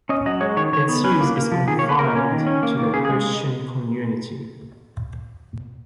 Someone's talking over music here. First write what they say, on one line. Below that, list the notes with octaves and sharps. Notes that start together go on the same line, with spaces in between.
Its use is confined to the Christian community.
C#4 D#5
F#3 D#5
G#3 C#5
D#3 C#5
D#3 C#5
B3
C#4 B4
A#3
A#3
F3
D#3 G#4
C#5
A#3
B4
A#3 A#4
C#4
D#3
C#4
A#3
D#3
C#3 G#4
G#4
G#3